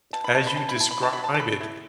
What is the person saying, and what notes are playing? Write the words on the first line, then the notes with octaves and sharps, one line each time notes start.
as you describe it,
B2 A5
B5
A3 A5
B5
C#4 A5
B5
E4 A5
B5
D3 A5
F#3 B5
A5
A5
C#4 B5
E4